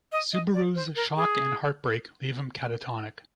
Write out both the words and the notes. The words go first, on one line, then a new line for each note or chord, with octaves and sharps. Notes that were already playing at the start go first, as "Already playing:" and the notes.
Subaru's shock and heartbreak leave him catatonic.
D#5
D#5
D5
C5
A#4
G#4